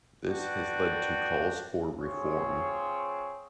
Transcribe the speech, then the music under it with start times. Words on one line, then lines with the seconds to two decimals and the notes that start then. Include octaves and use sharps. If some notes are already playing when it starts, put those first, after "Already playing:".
This has led to calls for reform.
0.23 D4 F#4 B4 D5 G5
2.00 C4 F4 G#4 C#5